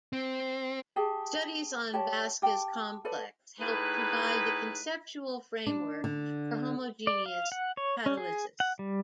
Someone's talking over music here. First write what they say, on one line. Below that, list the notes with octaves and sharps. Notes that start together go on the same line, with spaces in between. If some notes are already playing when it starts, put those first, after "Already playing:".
Studies on Vaska's complex helped provide the conceptual framework for homogeneous catalysis.
C4
G4 G#4 A5
G4 C#5 D5 A5
G4 G5 A5
A4 B4 D5
A2 D#4 G#4 B4
D4
D3
D5
F5
F#5
C#5
C#4
G#4
F#5
G3